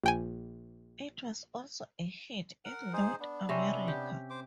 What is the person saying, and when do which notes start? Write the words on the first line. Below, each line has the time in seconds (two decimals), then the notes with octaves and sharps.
It was also a hit in North America.
0.04 A#1 G5 G#5
2.65 A#4 F#5
2.93 D#4 G#4 C5
3.20 B3 D4
3.49 C3 C4 C#4
3.88 G4
4.30 C5 D6